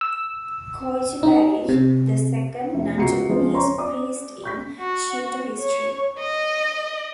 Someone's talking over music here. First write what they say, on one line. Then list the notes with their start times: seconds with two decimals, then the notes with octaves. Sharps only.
Koichi Barrish, the second non-Japanese priest in Shinto history.
0.01 E6
1.23 D#4
1.69 C3
2.74 F1 E5
2.97 C#2 F#4 G4 A#5 C7 C#7
3.29 C#3 F3 G#3 C#4
3.54 C5 C#5 A#5 C6 C#6
3.78 D5 D6 D#6
4.44 C#6 G6 B6
4.80 F#4
5.60 C#5
6.19 D#5